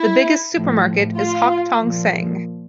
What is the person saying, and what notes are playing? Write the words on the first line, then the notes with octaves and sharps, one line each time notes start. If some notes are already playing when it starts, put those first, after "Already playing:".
The biggest supermarket is Hock Tong Seng.
Already playing: E4
A2 F3
F4
A#2 F3